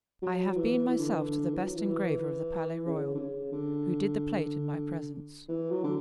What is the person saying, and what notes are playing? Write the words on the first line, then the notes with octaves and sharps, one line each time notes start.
I have been myself to the best engraver of the Palais Royal, who did the plate in my presence.
F#3
F#3
E3
E3
D3
E3
D3
E3
F#3
E3
E3
E3
C#3
D3
C#3
D3
E3
F#3
D3